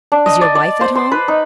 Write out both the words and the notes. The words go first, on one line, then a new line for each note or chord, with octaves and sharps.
"Is your wife at home!"
D4
D#5
D5
D5
C5
C6
B4
D#4